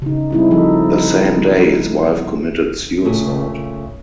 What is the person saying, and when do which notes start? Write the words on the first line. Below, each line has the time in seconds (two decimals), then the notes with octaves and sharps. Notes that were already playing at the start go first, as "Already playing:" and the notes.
The same day his wife committed suicide.
0.02 C#3 D#4
0.32 G3 C4 D#4 E4
0.51 F3 D#4 F#4 A4
3.05 A#2 C#3 A3